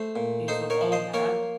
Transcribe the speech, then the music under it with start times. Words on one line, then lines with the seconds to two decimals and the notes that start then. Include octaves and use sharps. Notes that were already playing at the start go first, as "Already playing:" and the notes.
Is the law mad?
Already playing: A3 A4 C5
0.16 A#2
0.48 D#4 A4 C5
0.70 A#4 C#5
0.81 F3
0.92 C5 D#5
1.14 A#3 A#4 C#5